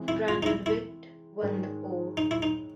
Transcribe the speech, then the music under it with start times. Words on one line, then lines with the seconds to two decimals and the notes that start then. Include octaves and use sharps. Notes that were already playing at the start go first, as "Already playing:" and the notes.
Brandon Whitt won the pole.
Already playing: C3 E3 G#3
0.08 E4
0.28 F4
0.43 D#4
0.46 E4
0.66 E4
1.41 G#2 D#3 G#3 C#4
2.17 D#4
2.31 E4
2.42 D#4